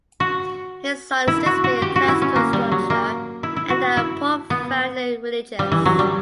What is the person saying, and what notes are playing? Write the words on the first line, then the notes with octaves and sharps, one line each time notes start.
His sonnets display a classical structure, and are profoundly religious.
F#4
E4
F#4
F#4
G4
F#4
E4
C#4
A#3
G3
F#3
A#3
E4
E4
F#4
E4
B3
G3
E3
F#3
G3